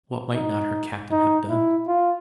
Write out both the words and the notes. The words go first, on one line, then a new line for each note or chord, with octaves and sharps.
What might not her Captain have done?
D#4
D#4
E4
F4